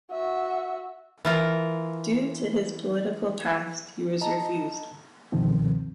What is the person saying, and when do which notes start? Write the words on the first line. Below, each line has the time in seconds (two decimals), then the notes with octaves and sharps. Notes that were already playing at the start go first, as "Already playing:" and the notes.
Due to his political past, he was refused.
0.11 F#4 E5
1.25 E3 F4 A#4
4.21 D#5 A5 A#5
5.32 C#2 F#2 B2 D#3 F3 C4